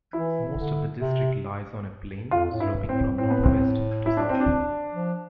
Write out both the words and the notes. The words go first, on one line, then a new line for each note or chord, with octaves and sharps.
Most of the district lies on a plain sloping from north west to south.
E3 E4
D3
C3
F2 F4
A2
G2 E4
A2 C4
A2 C4
B3
C4
E4
D4
C4
D4
F3